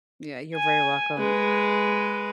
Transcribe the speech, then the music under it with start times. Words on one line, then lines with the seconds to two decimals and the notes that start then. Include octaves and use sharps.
Yeah, you're very welcome.
0.54 G#5
1.18 G#3 B4